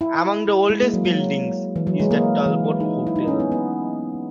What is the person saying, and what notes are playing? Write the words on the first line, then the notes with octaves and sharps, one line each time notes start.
Among the oldest buildings is the Talbot Hotel.
E4
G#3
A#3
F#3
F#3
E3
F#3
G#3
A#3
E3
D#4
E4
D#4
C#4
B3
B3